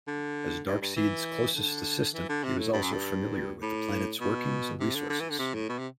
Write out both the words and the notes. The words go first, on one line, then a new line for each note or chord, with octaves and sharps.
As Darkseid's closest assistant, he was also familiar with the planet's workings and resources.
D3
G2
G2
E3
D3
E3
D3
C3
A2
G2
F#2
G2
A2
B2
C3
D3
D3
E3
D3
C3
A2
B2
C3